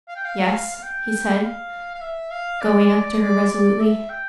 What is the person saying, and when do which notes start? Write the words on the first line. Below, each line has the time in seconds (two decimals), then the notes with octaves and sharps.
"Yes," he said, going up to her resolutely.
0.08 F5
0.16 G5
0.25 F5
0.76 F5
0.83 G5
1.42 F5
1.94 F5
2.01 E5
2.31 F5
2.61 D5
3.21 D5
3.51 D5
3.80 E5
4.10 G5